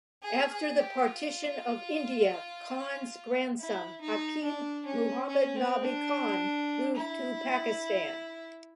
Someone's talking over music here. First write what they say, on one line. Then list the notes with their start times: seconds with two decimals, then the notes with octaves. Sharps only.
After the partition of India Khan's grandson Hakim Muhammad Nabi Khan moved to Pakistan.
0.23 G#4
0.51 G#4
0.79 G4
1.07 F4
3.60 E4
4.02 D#4
4.44 D4
4.86 C#4
5.28 C#4
5.56 C4
5.84 D4
6.96 E4